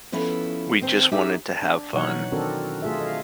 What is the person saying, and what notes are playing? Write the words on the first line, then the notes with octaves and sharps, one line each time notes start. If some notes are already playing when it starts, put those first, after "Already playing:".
We just wanted to have fun.
F3 B3 C#4 E4 A4
D#3 C4 C5 A5
D#4 G4 G#4 D5 E5
D4
B2 E3 F#3 D#4 C#5 F#5
D#3 C4 D4 F#4 A4 A#4
A3 F4 G#4 A4 E5
D#5 F5